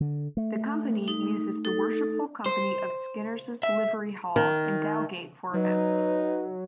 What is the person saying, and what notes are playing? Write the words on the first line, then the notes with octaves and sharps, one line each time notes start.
The Company uses the Worshipful Company of Skinners' livery hall in Dowgate for events.
D3
A3
D#4
D#4 A4
C5
E5
D#3
F#3 D#4 B4